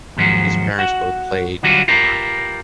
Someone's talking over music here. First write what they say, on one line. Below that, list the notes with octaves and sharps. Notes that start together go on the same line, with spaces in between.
His parents both played the harmonica.
D#2 G#2 F3 F#3
F#4 F#5
D3 F#3 G3 D4 F4 F#4
F4 G4 A#4 B4